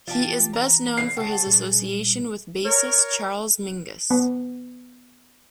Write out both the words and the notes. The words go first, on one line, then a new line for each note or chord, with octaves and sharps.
He is best known for his association with bassist Charles Mingus.
E3 F4 G4 A5
A#5
A#3 B4 C7
C#3 F#5 G5 A5
A#2 G3
A#4 C#5
B3